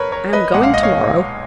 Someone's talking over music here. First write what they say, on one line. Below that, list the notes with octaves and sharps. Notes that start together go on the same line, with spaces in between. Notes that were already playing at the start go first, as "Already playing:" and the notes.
I am going to-morrow.
Already playing: F#1 F2 A#4 B4 C#5
A#4 C#5
B4 D#5
B1 A#2 G#3 F#5
F5
D#5
C#5 F5